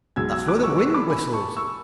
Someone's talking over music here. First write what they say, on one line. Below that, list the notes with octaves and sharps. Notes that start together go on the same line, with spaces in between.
That's where the wind whistles.
B1 B2 G#3 E6 G#6
E6 G#6
D6 F#6
C#6 E6
C#6 E6
E6
B5 D6
G#5 B5
A5 C#6
C#6 E6